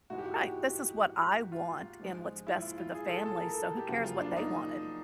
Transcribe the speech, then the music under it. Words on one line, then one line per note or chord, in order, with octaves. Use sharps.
Right, "This is what I want and what's best for the family so, who cares what they wanted?"
G#2 E3 G#3 F#4
G4
F#4
F4
G#2 F3 G#3
E4
F4
E4
F4
G#4
A4
A4
A#4
A4
G4
F#2 C#3 F3 A#3 F#4
F4
D4
D#4